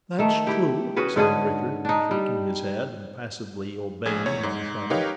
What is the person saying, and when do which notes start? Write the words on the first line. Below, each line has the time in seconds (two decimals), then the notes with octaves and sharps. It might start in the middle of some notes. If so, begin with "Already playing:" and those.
"That's true!" sighed Richard, shaking his head and passively obeying Moncharmin.
0.19 D#3 A3
0.47 E4 G4
0.96 C#4 F#4 G#4 B4
1.16 G#2 D3 C#4 G#4
1.85 D4 D#4
2.11 G3
4.06 A#1 G#4 G#6
4.26 E2 C#5
4.43 G#2
4.90 D#4 G4 A#4 B4 C#5 F5